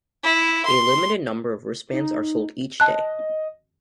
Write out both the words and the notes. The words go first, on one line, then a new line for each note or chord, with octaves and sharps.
A limited number of wrist bands are sold each day.
E4
C6
D#4
D#5 A5 F#6